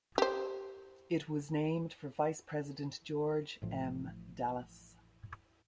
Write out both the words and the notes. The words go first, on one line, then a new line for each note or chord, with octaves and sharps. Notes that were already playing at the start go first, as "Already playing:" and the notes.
It was named for Vice President George M. Dallas.
G4 C5
A1 A2 F3